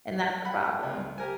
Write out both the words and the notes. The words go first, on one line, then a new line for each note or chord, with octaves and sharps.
and that's the problem.
F#5 G5 B5
C#2
G4 A#4 C5 G#5